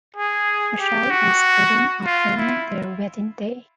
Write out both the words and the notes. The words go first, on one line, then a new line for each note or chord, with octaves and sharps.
Michelle and Stephen are planning their wedding day.
G#4
G4
F#4
F4
E4